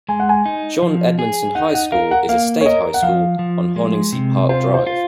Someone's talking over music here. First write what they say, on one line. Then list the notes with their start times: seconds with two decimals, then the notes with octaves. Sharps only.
John Edmondson High School is a state high school on Horningsea Park Drive.
0.09 G#3 G#5
0.20 F#5
0.29 G#5
0.46 D#4
0.82 F3
1.19 G#4
1.55 D#4 F#5
1.74 F#5
1.92 A#4 F5
2.11 F#5
2.29 A#3 F5
2.61 C#5
2.66 A#4 D#5
2.94 F#5
3.02 F3 F5
3.39 F3
3.76 G#3
4.13 C3
4.49 F4 C5
4.74 C5
4.87 F4